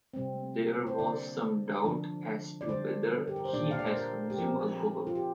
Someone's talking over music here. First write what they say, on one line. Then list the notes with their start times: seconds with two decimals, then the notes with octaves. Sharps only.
There was some doubt as to whether he had consumed alcohol.
0.13 C3 G3 C4
0.87 C5
0.98 D3 A#3 D4 D5
1.84 D3 F3 D4
2.61 D5
2.68 D3 G3 D4 C5
3.27 G4
3.36 A#4
3.45 C5
3.53 A#2 A#3 D4 D5
3.71 F5
3.79 D5
3.87 C5
3.96 A#4
4.30 G4
4.38 F3 C4 A#4
5.07 F4
5.15 G4